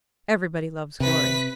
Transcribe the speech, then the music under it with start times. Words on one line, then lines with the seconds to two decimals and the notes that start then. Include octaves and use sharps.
Everybody loves Glory.
1.00 C3 B4 B6